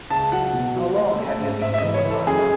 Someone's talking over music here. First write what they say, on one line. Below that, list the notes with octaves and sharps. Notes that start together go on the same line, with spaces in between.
How long have you been to Mombasa?
C#2 A5
F#3 F#5
B2
F#3
A3
A3
G#2
G#2 E5
E5
D#5
E3
C#5
E3
A4
F#2 G#4